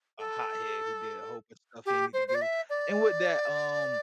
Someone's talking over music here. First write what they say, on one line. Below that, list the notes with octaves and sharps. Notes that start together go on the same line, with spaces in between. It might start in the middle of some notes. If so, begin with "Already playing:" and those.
a hothead who did a whole bunch of stuff he didn't need to do. And with that, um
A4
G4
C5
C5
D5
E5
D5